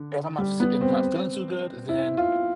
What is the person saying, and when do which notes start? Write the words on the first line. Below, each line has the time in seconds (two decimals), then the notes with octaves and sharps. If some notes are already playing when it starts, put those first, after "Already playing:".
if I'm not s if I'm not feeling too good, then,
Already playing: D3
0.38 G3
0.60 B3
0.81 C4
1.89 E4
2.17 F4